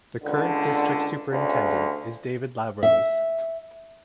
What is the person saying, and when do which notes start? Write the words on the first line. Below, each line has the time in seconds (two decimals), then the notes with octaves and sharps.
The current district superintendent is David LaRose.
0.23 C#2 D3
1.30 D2 C#3
2.83 E5